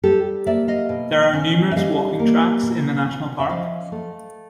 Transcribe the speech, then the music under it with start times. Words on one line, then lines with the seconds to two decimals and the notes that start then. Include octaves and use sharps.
There are numerous walking tracks in the national park.
0.04 G3 G4 A4
0.46 A#3 D5 E5
0.68 D#5 F5
0.89 B2
1.34 C#4
1.71 E5
1.76 G3 D#5 F5
2.19 A#3
2.63 B2
3.06 C#4
3.39 E5
3.49 F3 D#5 F5
3.92 A3